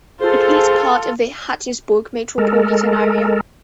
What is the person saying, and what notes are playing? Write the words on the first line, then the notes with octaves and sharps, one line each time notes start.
It is part of the Hattiesburg metropolitan area.
F4 G#4 A4 C5
G#3 A4 A#4